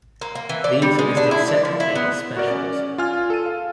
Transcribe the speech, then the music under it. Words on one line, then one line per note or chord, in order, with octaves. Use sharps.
These are listed separately as specials.
A#3
A#3
E3
D5
G3
G#3
D4
E4
D5
F3
E4
B3
F#4 A#4 D5
C#4 D5
F4 G#5 F6
A4 D#7
F5